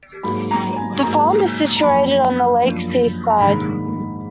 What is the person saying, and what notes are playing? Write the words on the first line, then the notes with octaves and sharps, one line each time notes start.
The farm is situated on the lake's east side.
G#2 F#3 A#3 B5
A#5
G#5
G#2 F#3 A#3 A#5
A#5
F#2 F3 A#3 D4 B5
F#2 F3 A#3 D4
A#5
A#1 G#2 D#3 A#3 B5